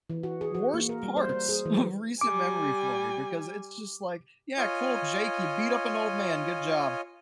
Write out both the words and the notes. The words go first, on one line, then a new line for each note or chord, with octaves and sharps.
worst parts of recent memory for me, because it's just like, "Yeah, cool, Jake, you beat up an old man. Good job."
E3
F#4
G#4
F#4
A#3
A#4
G3
C5
C5
G#4
E3
F#3
G3 G#5 D6
F4 C#5 D#5 G#5